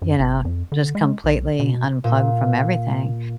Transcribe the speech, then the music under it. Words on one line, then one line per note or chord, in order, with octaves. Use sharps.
you know, just completely unplug from everything,
F#2
G1
F2
D3
G#3
B1
B2
A#2